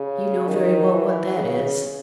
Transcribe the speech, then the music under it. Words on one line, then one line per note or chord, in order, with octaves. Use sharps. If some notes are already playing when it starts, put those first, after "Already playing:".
You know very well what that is.
Already playing: C#3
D#3
E3
C#3